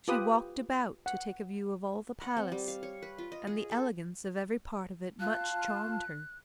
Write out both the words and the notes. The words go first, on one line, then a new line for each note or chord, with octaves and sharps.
She walked about to take a view of all the palace, and the elegance of every part of it much charmed her.
F4 G4 B4 D#6
F#5
F#5
C4
G3
F5
C#5
B4
F4
D#5
G#4
A4
F4 F5 A5 F#6